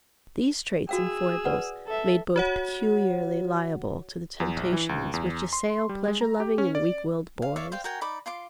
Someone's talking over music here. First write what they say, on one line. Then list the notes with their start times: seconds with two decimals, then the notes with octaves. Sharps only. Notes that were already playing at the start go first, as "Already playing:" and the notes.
These traits and foibles made both peculiarly liable to the temptations which assail pleasure-loving and weak-willed boys.
0.89 F#4 G#4 F5 G5 E6
1.45 B4 D5 F#5
1.87 A4 E5
2.36 F#4 C#5 F#5
4.40 E2
4.57 A#1
4.73 E3
4.89 C#2
5.14 E2
5.53 C6
5.89 G3
6.08 G#3
6.21 A#5
6.40 G4
6.58 C#4
6.75 D5
7.42 F5
7.56 C#5 D5 E5 F5
7.72 C5 F5 G5
7.84 F#4 A#4 G5 G#5
8.01 D#4 D5 B5 D6
8.26 F4 C6 D6